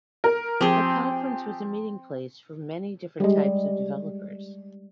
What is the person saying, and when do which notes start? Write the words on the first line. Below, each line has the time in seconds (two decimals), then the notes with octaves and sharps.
The conference was a meeting place for many different types of developers.
0.24 A#4
0.61 F3 C4 G4 G#4
3.20 G3 G#3